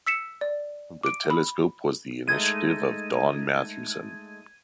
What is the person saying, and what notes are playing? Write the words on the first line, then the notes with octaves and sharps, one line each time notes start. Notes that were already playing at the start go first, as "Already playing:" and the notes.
The telescope was the initiative of Don Mathewson.
E6 B6 C#7 E7
D5
D6 D7
B5
G#3 A3 D#4 G#6 D#7